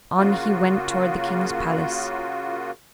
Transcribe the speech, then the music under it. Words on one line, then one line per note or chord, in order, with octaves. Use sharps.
On he went toward the king's palace.
C#3 A#3 F4 F#4